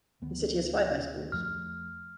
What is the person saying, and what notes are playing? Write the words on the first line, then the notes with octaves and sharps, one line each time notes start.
The city has five high schools.
D2 D#3 B3
F2 F3 A3 F6